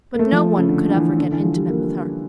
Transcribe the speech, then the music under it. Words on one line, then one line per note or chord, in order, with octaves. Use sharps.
But no one could ever get intimate with her.
A#3
A3
F3
C#3
D3
D3
E3
D3
E3
F3
G3
A#3